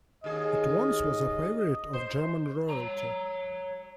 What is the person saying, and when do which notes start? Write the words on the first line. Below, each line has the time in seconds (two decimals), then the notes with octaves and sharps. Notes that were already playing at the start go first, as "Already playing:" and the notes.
It once was a favorite of German royalty.
0.24 D#2 G#4 D#5
1.93 C5
2.70 C#5 A#5